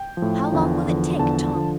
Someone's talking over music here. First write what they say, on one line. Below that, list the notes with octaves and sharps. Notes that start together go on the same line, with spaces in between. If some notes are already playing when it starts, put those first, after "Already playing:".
"How long will it take, Tom?"
Already playing: G5
F3
A2
E2 D3 F3
E2 D3 F3
E2 D3 F3 A5
D3 F3